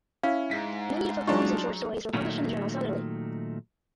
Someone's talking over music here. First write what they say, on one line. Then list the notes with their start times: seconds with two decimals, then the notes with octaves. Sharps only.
Many of her poems and short stories were published in the journal "Southerly".
0.23 C#4 E4 F5
0.51 G#2 B6
1.27 F#3 G#3 D4 D#4 F4 C#6
2.13 A#2 D#3 F#3 A3